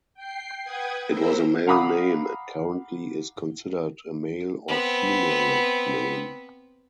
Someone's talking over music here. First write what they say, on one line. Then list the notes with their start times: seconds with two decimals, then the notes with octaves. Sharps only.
It was a male name and currently is considered a male or female name.
0.14 G5 C7
0.63 B4 F#5 G5 D#6 G#6
1.06 A#4 C5 A#5 B5 E6
1.67 F5 F#5 A#5 B5 D6 D#6
4.68 B3 C4